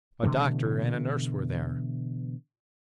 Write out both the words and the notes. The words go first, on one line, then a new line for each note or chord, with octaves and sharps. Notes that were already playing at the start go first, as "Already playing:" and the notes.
A doctor and a nurse were there.
B2 D3 E3 A3